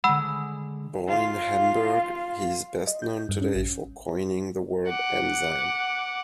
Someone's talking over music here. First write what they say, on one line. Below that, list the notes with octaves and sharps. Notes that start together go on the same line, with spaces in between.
Born in Hamburg, he is best known today for coining the word enzyme.
D3 G#3 F#5 B5 E6
F4 F5
D#5
G6
G2
C#4
A1
F#5 D6